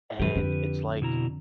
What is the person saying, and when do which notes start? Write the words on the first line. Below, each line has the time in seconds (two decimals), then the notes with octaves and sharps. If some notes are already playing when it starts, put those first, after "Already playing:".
And it's like
0.19 F#2 D#3 G4 B4
0.35 F2 D3
1.02 B2 E4 A#5